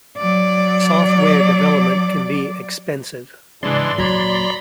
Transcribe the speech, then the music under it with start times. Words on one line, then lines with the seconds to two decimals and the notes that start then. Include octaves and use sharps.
Software development can be expensive.
0.18 F#3 D5
3.63 G#2 C#3 E3 G#3 D4 D5 C6
3.98 D#2 A#2 F#3 A#5 B5 G#6